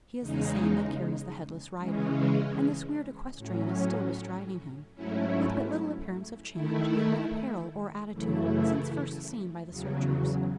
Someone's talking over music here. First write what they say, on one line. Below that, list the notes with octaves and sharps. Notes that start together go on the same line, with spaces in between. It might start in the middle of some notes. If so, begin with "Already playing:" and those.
He is the same that carries the headless rider; and this weird equestrian is still bestriding him, with but little appearance of change, either in apparel or attitude, since first seen by the searchers.
E2 C#3 G#3 D#4
C#3 E3 G#3 C#4
A2 F#3 C#4
G#2 F#3 A3 C#4 E4
D#3 A3 E4
F#2 C#3 E3 A3 E4
E2 C#3 F#3